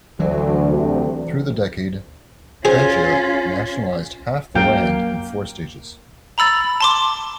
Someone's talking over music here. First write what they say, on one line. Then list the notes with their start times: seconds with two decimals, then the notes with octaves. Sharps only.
Through the decade, Francia nationalised half the land in four stages.
0.20 D2 E3 F#3
0.73 D2 C3
2.65 C#4 F4 G#4 C5
4.55 F#2 F#3 A#3 A#4 F5 G5
6.38 A#5 B5 E6 A6
6.81 A5 C6 D6